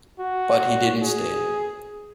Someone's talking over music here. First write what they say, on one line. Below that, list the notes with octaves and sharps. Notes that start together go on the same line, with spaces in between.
But he didn’t stay.
F#4
G#4